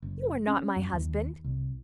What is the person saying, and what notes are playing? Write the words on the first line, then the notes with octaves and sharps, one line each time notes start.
'You are not my husband!'
F#1
C#4
F#2
D#2
C2